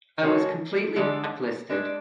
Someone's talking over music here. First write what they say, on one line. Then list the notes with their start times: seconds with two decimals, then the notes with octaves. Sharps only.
I was completely black-listed.
0.22 C#3 G#3 C#4 F#4 A4
0.96 D3 G#3 D4 A4
1.69 G#3 D4 A4